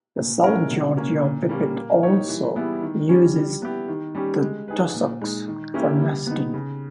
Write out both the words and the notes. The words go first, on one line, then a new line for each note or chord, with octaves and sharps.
The South Georgia pipit also uses the tussocks for nesting.
A#2
G#3 C#4 E4 A#4
B2
A#3 C#4
A#2
G3 A#3 C#4
A#3
D#4 G4 C#5
E3
G3 B3 E4 G#4
D#3
G3 C#4
G3
B3 E4 G4
D#3
G3 C#4 G4
G#3
D#4 G#4 B4
A#2
G#3 D#4
D#3
A#3 C#4 E4 G4
G3
B3 D#4
C#3